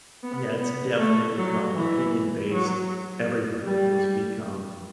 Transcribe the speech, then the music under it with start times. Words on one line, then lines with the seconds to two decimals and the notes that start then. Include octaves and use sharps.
yeah, It's definitely become opinion based. Everything has become
0.23 B3
0.61 B3
0.99 A3
1.37 F#3
1.75 E3
2.51 F#3
3.65 G3